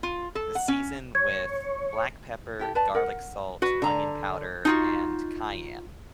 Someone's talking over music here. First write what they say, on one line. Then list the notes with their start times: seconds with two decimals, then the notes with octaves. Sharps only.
Uh, season with black pepper, garlic salt, onion powder, and cayenne.
0.03 F4
0.35 A4
0.55 F#5
0.68 C#4
1.15 C#5 G#6
2.59 E4 G4 A4
2.75 B4 D5 A5
2.95 A#4 F#5
3.62 F#4 B4
3.82 D3 A#5
4.65 D#4 F4 F#4